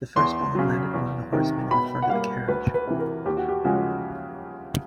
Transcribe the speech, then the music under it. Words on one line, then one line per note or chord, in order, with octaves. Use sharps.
The first bomb landed among the horsemen in front of the carriage.
E2 C6
C#3 F#3
E2
C3 D#3
B2 B5
F#5
G3 A#3 F5
D2 B4
B4
C3 E3
A#4
D#2 G4
F#4
G4
C#3 F3 G#3 F#4